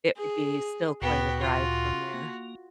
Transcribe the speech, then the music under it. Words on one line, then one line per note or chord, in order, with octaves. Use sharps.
it would be still quite a drive from there.
G#4
D2 A#2 B3 F#4 G5
F4
A#3